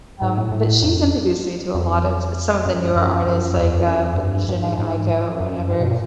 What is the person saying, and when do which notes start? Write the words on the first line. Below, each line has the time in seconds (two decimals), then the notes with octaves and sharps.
um but she's introduced me to a lot of some of the newer artists like, uh, Jheńe Aiko, or whatever.
0.22 G#2
0.37 A2
0.52 A2
0.83 F2
1.74 F2
2.66 F#2
2.96 F#2
3.27 F#2
3.57 E2
3.72 F2
3.87 F#2
4.03 F2
4.18 G2
4.49 G2
4.64 G#2
4.79 G#2
5.40 F#2
5.70 G2
5.81 B2
5.91 A#2